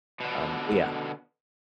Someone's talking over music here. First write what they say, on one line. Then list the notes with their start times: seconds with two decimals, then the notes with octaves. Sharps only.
um, but yeah,
0.21 B2 D3